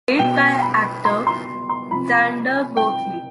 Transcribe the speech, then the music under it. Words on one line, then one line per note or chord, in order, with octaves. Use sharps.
It is played by actor Xander Berkeley.
B2 G5
B5
C6
C6
C6
C3 F3 B5
G5